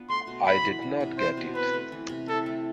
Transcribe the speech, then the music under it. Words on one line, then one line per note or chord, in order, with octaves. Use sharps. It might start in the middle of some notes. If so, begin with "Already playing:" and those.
I did not get it.
Already playing: B3 D4 F4
A3 C6
B2
B3 B5
E3
G3
C3
G3 C5
B2
C4 B4
A3
E3
C3
E4 A4
A3